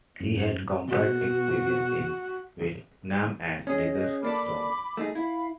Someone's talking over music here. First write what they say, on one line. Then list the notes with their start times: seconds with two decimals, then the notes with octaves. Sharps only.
He had combat experience in Vietnam and Desert Storm.
0.20 F#2
0.88 B2 F#4
3.67 C#4 G#4 D#5 D#6
4.23 A#3 D4 A4 B5 D6
4.97 A3 D#4 G#4 D#5
5.15 E4 F5 B5